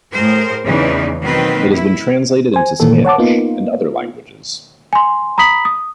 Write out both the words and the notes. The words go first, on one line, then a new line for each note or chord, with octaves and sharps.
It has been translated into Spanish and other languages.
A2 G#4 A#4 C5
E2 C#3 E3 D4 D#4 D5
B2 D#3 F#3 A#3 C4 B4
E4
C5 G#5
A#2 D#3 E3 A#3 A4
C#5 F#5 A5 D6
A#3 B3 D#4 F4
G#5 C6
A#5 B5 D#6 B6 F#7
D#6